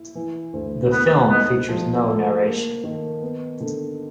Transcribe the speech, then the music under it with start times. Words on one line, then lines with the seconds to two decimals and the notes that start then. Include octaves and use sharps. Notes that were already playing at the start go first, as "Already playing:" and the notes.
The film features no narration.
Already playing: E4
0.15 E3
0.53 D2
0.91 A#3 B3
1.30 B3 D#4
1.69 F3
2.07 A3
2.46 A#3
2.84 D#3
3.22 B3
3.60 D3